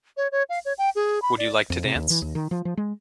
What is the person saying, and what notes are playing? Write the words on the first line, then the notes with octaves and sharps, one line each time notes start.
Would you like to dance?
C#5
C#5
F5
C#5
G5
G#4
B5
D5
F2
C3
D#2
E3
D#2
D#3
F3
F3
G#3